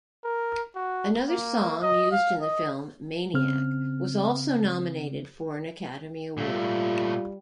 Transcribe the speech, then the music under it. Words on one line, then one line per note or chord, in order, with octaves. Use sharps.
Another song used in the film, "Maniac", was also nominated for an Academy Award.
A#4
F#4
A#3
D#5
F5
D#5
C#3 C4 F6
A#2 G3 A3 F4